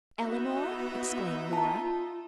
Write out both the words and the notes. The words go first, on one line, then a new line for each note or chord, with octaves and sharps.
"Eleanor?" exclaimed Nora.
B3 D#4 E4 F#4 E5
F4 A5 A#5